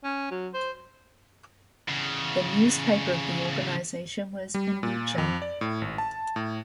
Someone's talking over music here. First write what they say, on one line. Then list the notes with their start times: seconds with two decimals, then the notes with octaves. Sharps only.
The newspaper of the organization was "En Lucha".
0.04 C#4
0.31 F#3
0.54 C5
1.88 E2 C#3
4.54 G3
4.83 A#2
5.18 F2
5.42 D5
5.61 A2
5.82 G#1
5.98 A5
6.36 A2